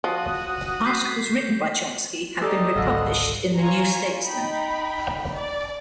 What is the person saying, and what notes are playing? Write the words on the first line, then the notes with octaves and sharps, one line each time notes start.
Articles written by Chomsky have been republished in the "New Statesman".
F3 F#4 D#6
G6 B6 C7
G3 D4 D#4 G4 A4 C5 D#5
G#1 C#2 G#2 D3 G3 F4 A4
F4 C#5 G#5 A#5
D#4 G5 B5
D5